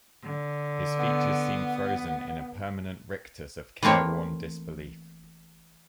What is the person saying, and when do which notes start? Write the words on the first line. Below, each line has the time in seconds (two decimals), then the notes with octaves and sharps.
His features seem frozen in a permanent rictus of careworn disbelief.
0.23 D3
0.99 B3
3.83 E3 A3 A#3 C4 C#5